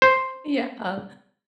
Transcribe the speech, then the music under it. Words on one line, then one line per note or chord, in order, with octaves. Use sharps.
Yeah, uh
C5